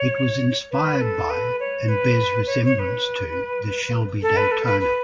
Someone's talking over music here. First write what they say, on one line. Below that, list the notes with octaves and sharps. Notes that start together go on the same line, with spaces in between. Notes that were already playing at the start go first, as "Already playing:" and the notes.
It was inspired by and bears resemblance to the Shelby Daytona.
Already playing: C#5
B4
A4
B4
C#5
B4
C#5
C#5
C#5
B4
A4
B4
A4
B4
B4